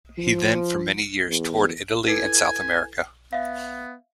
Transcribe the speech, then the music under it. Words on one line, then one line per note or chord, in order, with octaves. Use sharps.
He then for many years toured Italy and South America.
F3
E2
E4 A4 B4 G#5
B3 E5 F5